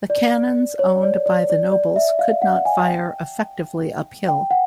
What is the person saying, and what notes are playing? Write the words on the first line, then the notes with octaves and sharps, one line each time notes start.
The cannons owned by the nobles could not fire effectively uphill.
D5
C#5
D5
D5
D5
D5
E5
F5
F#5
G#5
G5
G5
F#5